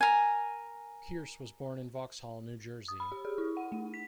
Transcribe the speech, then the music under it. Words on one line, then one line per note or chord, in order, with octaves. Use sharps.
Kearse was born in Vauxhall, New Jersey.
A#4 G#5
D#6
B5
G4
G#4
E4
F#5
A3
B6